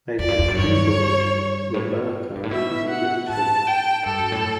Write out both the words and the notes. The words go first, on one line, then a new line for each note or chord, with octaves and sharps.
They had two boys, Roberto and Richard.
E2 D5
F#2
E2
F#2
G2 C#5
A2
G2
A2
B2 E5
F#5
A2 A5
G5
G2 A4
F#2
A2